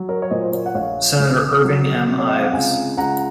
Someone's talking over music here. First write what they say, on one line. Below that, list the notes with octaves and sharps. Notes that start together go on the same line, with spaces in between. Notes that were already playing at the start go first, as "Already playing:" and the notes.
Senator Irving M. Ives.
Already playing: F#3
A#4 C#5
C#5
A#2 C5 D#5
C5
A#4 C#5
F#5
A#1 C#5 F5
A#1
F#3
C3
C#5
D#5
F5
F#5
C#2 F5 G#5
C#2 F#5 A#5